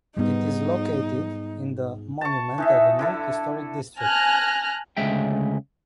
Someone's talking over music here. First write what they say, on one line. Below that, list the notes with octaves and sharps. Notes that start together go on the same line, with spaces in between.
It is located in the Monument Avenue Historic District.
G#2 G3 B3 D#4
A5 C#6
E3 D#4 E5
D3 E4 A4
G#5 A5 F6 F#6 A#6
D2 C#3 G#3 E5 G5